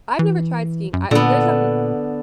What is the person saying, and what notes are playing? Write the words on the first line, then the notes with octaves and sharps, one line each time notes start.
I've never tried skiing. I there's a m
E3
F#2
A#2 D3 B3